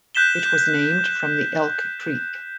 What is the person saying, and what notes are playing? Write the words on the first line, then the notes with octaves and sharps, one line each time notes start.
It was named from the Elk Creek.
F#6 G6 B6 E7 G7